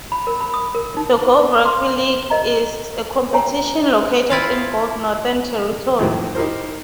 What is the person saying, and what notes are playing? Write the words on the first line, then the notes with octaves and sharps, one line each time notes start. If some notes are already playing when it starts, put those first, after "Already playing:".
The Gove Rugby League is a competition located in Gove, Northern Territory.
B5
A#4
B5
D#6
A#4
D#4
C6 D6
A#4 D#5 A#5
A#4 C#5 G5 G#5 A#5
E4 F4 F5
F2 A2 D#3 F#3 A3 A#3
D#4 E4 G4 A#4 C5